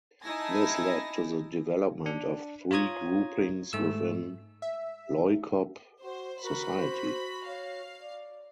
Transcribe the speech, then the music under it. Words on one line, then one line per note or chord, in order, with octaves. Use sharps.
This led to the development of three groupings within Loikop society.
D#4 E4 G#5 A5 A#6
D4
F4 C#5 A#5 D#6 G#6
G#2 A3 E6
E5
F#4 C5
F#4 A#4 B5
C5
C#5 F5
D5